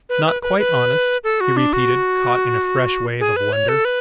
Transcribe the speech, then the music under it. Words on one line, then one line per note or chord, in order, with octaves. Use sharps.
"Not quite honest?" he repeated, caught in a fresh wave of wonder.
B4
B4
B4
B4
A4
F#4
D4
F#4
G#4
B4
C#5
A4
B4